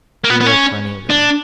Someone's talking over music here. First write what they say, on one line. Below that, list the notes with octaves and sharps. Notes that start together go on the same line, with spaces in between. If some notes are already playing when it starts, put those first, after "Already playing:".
Here are plenty of them.
A#3
B3
B3
C#4
D4